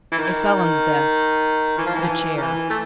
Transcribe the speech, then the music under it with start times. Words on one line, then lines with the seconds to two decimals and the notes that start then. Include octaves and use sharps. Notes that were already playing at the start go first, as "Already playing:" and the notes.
A felon's death--the chair!
0.12 E3
0.18 D#3
1.78 E3
1.86 F3
1.95 E3
2.37 D#3
2.42 E3
2.70 A3